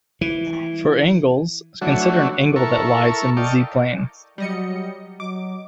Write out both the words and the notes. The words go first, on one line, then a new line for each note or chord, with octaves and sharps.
For angles, consider an angle that lies in the z-plane.
E3
E3 F#3 A3 D4 F#4 C#5
E4 A4 A#4 C#6
D5 D#5 F5 G5 A5 C#6
F#3 G3 D#5 C#7
F#3 D#5 D6